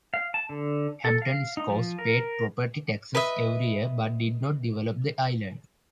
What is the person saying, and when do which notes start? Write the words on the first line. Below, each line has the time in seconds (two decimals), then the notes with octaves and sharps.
Hampton Scows paid property taxes every year but did not develop the island.
0.14 F5
0.34 A5
0.49 D3
1.05 A4
1.22 F5
1.57 D#4
1.70 F3
1.99 A#4
3.15 B4 D#5 E5